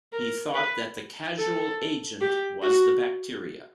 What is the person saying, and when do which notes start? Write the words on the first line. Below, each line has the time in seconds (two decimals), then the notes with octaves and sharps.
He thought that the causal agent was the bacteria.
0.12 A#4
0.54 B4
1.38 A4
2.21 G4
2.62 F#4